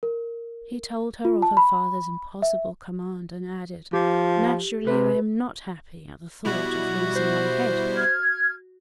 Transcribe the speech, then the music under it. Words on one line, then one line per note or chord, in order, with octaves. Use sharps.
He told her of her father's impossible command and added, "Naturally, I am not happy at the thought of losing my head."
A#4
F4
A5
B5
E5
F3 G4
C3 B4
B2 G3 E4 F#4
C5
F6 G#6